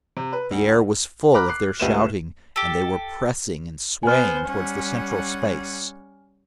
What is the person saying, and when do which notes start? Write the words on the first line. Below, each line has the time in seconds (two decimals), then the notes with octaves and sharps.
The air was full of their shouting, and they were pressing and swaying towards the central space.
0.17 C3
0.33 B4
0.51 D2
1.34 A#5 B5 D6 F6 F#6
1.48 D6 F#6 C7
1.80 C#2 G3 A3 B4 D#7 E7
2.56 G4 A4
4.03 B3 C5 G#5 F6
4.47 G3 C#4 F#5